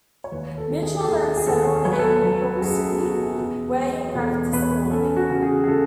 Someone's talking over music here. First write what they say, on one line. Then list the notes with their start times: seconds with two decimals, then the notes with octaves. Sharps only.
Mitchell then settled in New York City where he practiced law.
0.24 C#5
0.32 D#2 B4
0.58 A4
0.70 D#3
0.83 G#4
1.00 A4
1.08 D#2 G#4
1.37 G#4
1.47 D#2 A4
1.85 F#3 C#5
1.93 B4
1.99 A4
2.06 B4
2.23 F#3
2.56 F#4
2.61 F#2 G#4
2.89 G#4
3.00 B3 F#4
3.38 E2 G#4
3.76 G#3
3.93 D#5
4.00 C#5
4.08 B4
4.15 E2 A4
4.53 E2 B4
4.62 C#5
4.71 B4
4.91 C#4 A4
5.16 F#4
5.30 C#3
5.42 G#4
5.64 G#4
5.67 C#3 A4